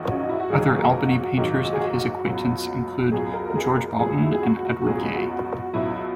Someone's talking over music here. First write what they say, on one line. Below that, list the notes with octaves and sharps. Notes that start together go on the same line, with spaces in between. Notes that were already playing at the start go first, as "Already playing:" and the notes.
Other Albany painters of his acquaintance included George Boughton, and Edward Gay.
Already playing: A#1 G#2 D#3 F#3 F#4
C#4
D#4
E4
F#4
A#1 G#2 D#3 F#3 G#4
A#4
F#4
A#1 G#2 D#3 F#3
G#4
F#4
C#2 B2 F#3
C#2 B2 F#3 G#4
A#4
A#4
G#4
A#4
C#2 B2 F#3 G#4
E4
G#4
F#4
F#4
F#4
C#2 B2 F#3 G#4
F#4
F#4
C#2 B2 F#3 E4